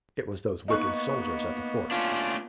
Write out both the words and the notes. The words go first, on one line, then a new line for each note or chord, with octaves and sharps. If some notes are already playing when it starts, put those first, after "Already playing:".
It was those wicked soldiers at the fort!
A#3 B3 D#4 C#6 F#6
A3 C#4 D4 F4